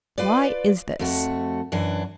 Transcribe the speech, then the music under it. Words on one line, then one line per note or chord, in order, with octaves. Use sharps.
"Why is this?"
F4 B4 D5
F2 A3 F#4
F#2 E3 D4